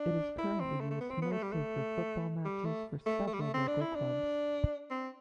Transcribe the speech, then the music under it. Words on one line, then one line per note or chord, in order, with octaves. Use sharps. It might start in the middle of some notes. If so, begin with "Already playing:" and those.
It is currently used mostly for football matches for several local clubs.
Already playing: D4
E4
C4
A3
A3
B3
C4
B3
A3
G3
A3
G3
A3
A3
A3
G3
A3
C4
D4
E4
D4
C4